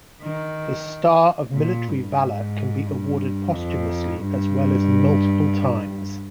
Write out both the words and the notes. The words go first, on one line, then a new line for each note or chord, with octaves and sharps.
The Star of Military Valour can be awarded posthumously, as well as multiple times.
D#3
A#2
G2
G#2
G2
F2
G2